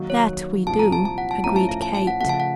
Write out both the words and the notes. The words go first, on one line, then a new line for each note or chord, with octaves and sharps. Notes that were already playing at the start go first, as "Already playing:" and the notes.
"That we do!" agreed Kate.
Already playing: D#3 F#3 A#3 D#4
C#5
C2 A#2 F3 A5
A#5
A5
A5
F#5
A5
A2 F3 A3 C#4 A#5
A5
F5
A5
A5
F#5
C#3 F3 A3 F#5
A5
F#5